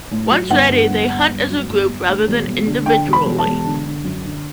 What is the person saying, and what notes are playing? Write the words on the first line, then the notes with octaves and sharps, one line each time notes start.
Once ready, they hunt as a group rather than individually.
A2
F#3
G1 F#5
G2
G1
G1
G1
F#3
G1
G1
D2
E1
E1
D3
D3 G5
E1
B5
E1
A5
E1
D3
D3
F#2
D3